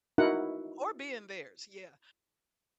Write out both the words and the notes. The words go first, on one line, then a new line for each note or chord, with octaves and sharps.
or be in theirs, yeah,
D#4 E4 F#4 A#4 F#5